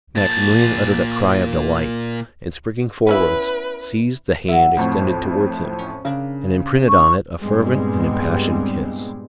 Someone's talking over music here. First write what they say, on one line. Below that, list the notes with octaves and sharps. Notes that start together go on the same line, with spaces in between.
Maximilian uttered a cry of delight, and, springing forwards, seized the hand extended towards him, and imprinted on it a fervent and impassioned kiss.
A#2 A5
B3 C#4 E4 B4
F#3 B3 E5
F2 A2 C5 C#5
C#4
C#3 D4 A#4
C#6
G2 A#2 G3 G#3 B3 C4